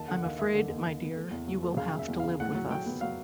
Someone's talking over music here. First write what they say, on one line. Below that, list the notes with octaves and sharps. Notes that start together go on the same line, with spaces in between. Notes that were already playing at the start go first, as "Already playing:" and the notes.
I'm afraid, my dear, you will have to live with us.
Already playing: D#2 A5
D3 F#5
D#2 F5
D#2 E5
D3
D#2
D#2
B3
A3
E2
F#3
A3
C#3 F5
C#3
E5
E2
C#3 F5
A2 F#5
F#3
F#3 G5
B3
F#3 F5